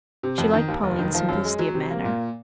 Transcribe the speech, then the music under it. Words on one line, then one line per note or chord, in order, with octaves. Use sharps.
She liked Pauline's simplicity of manner.
C3
F2
D#3
D#2
F1
D#3
F3
F#2
G#3
F#3
C3
A#3
A#2